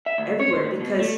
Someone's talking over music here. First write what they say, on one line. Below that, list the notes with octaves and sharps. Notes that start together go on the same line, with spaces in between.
everywhere? Because
E5
D2
C#5
C5
D2
B2
A3